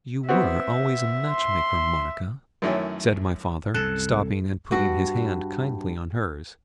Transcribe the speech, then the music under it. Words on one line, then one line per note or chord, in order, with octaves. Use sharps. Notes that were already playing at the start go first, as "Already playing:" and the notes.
'You were always a match-maker, Monica,' said my father, stopping, and putting his hand kindly on hers.
B3 C4 F#4 E5
C6
F#2 D#3 E3 A3 C#4 E4
C2 F#2 C3 A4 F#6
G2 F#4